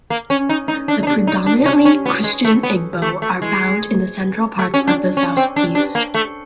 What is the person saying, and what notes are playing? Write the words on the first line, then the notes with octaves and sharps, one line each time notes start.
The predominantly Christian Igbo are found in the central parts of the southeast.
A#3
C#4
D#4
D#4
D4
D#4
D4
D#4
D4
C#4
C#4
B3
G#3
A3
B3
A3
A3
G#3
A3
C#4
D4
C#4
C4
D4
D4
A#3
A3